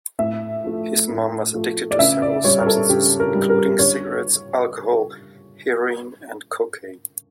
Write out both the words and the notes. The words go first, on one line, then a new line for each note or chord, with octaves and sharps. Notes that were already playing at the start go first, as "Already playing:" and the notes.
His mom was addicted to several substances including cigarettes, alcohol, heroin, and cocaine.
A2 E5
F3 A3
A2
F3 A3
D5
C#3 E5
D5
G3 C#5
A#4
A4
C#3 G4
A#4
G3
A#4
D3 C#5